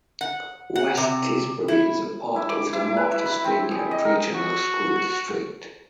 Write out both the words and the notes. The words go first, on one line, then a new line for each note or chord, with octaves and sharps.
West Tisbury is a part of the Martha's Vineyard Regional School District.
F#5
F#5
C3
E4
E4
D6
E4
B4
E5
B5
C4
G#4
D#5
A#4
F#4